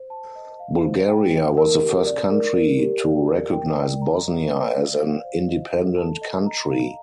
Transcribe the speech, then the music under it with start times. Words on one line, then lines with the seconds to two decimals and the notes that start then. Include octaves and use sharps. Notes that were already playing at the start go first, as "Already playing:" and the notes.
Bulgaria was the first country to recognize Bosnia as an independent country.
Already playing: C5
0.10 A5
0.35 D#5
0.60 F5
0.83 C5
1.08 G5
1.33 D#5
1.57 A#4
1.81 G4
2.06 D5
2.30 A#4
2.55 A#4
2.79 G4
3.04 D5
3.28 A#4
3.52 G5
3.77 D5
4.02 A#5
4.26 D#5
4.51 F5
4.75 D5
5.00 F5
5.24 C5
5.48 D#5
5.72 A4
5.97 A5
6.22 D#5
6.46 A#5
6.70 F5